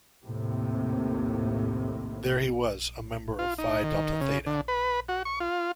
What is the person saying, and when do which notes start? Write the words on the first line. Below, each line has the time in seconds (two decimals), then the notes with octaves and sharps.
There he was a member of Phi Delta Theta.
0.25 D#2 A2 C3
3.39 F4
3.58 D#4
3.84 D#3
4.21 C#3
4.47 D3
4.68 B4
5.09 F#4
5.25 C#6
5.40 F4